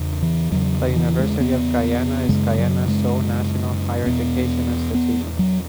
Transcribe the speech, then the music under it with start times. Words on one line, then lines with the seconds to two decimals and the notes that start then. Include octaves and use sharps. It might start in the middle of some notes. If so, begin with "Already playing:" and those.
The University of Guyana is Guyana's sole national higher education institution.
Already playing: E2 C#3
0.23 E3
0.52 E2 C#3 F#3
0.96 E3
1.19 G#3
1.40 B3
2.29 F#2 C#3 G#3
2.59 F#3
2.88 G#3
4.06 E2 B2 B3
4.95 B3
5.39 F#3